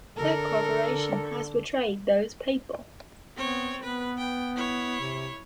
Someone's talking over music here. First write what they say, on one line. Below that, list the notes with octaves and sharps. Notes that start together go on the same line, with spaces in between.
That corporation has betrayed those people.
D3 A4 A#4
B3 C4 C#5
B3 B4
G5
E4 C#5
C3